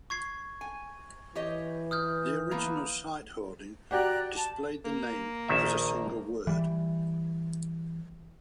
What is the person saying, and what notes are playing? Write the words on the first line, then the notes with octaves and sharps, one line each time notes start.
The original site hoarding displayed the name as a single word.
C#6 G#6 C7
G#5
E3 G4 C#5 D#5
D#6 F6 G6
A#3 B3
F#4 G4 D5 G5 A#5 F#6
A5
A#3
A#1 D#3 E5
E3 G3